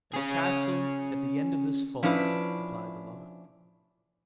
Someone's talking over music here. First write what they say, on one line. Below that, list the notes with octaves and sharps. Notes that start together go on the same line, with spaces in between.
"In a castle at the end of this forest," replied the lover.
C#4 G#4
F3 C#4 D4 E4 B4